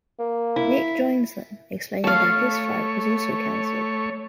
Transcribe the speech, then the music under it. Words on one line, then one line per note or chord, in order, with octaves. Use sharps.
Nick joins them, explaining that his flight was also canceled.
A#3
E4
A3 C#5 F5 A5